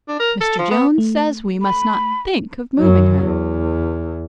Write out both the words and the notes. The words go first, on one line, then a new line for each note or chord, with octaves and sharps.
Mr. Jones says we must not think of moving her.
D4
A#4
A4
F3
B3
A3
B5
F#2 F#3
E2